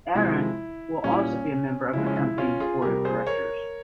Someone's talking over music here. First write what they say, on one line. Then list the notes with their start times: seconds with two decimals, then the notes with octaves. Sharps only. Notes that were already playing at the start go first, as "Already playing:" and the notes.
Aron will also be a member of the company's board of directors.
0.15 C3 F3 G#3 E4
1.04 A#2 G3 C#4
1.12 E4
1.19 C#4
1.93 C#3 F3 G#3 E4
2.06 C#4
2.16 E4
2.38 C#4 F4
2.60 F4 G#4
2.82 C3 G3 G4 A#4
3.05 G#4 C5
3.27 A#4 C#5